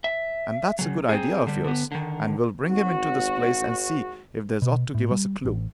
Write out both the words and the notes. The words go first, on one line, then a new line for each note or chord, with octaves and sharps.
And that's a good idea of yours, and we'll bring him into this place and see if there's aught to give us a clue.
E5
C#3 F#3
C4 G#4
D3 G3
D3 B3
D3 D#3
G#1 F#4
B2
A2
G3
A1